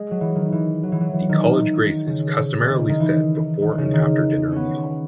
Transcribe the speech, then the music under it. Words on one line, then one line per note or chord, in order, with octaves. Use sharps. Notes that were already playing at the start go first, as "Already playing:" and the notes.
The college grace is customarily said before and after dinner in the hall.
Already playing: G#3
F#3
E3
D#3
E3
F#3
E3
F#3
E3
D#3
C#3
D#3
D#3
E3
D#3
C#3
D#3
B3 C#4